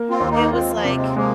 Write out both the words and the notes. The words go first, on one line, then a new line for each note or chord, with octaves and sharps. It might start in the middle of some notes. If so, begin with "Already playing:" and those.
it was, like
Already playing: A#3
C4 F4
D#2
A#3 D#4
G#3 C4 F4
F3 A#3
C3
G#3 C4
F3 G#3 A#3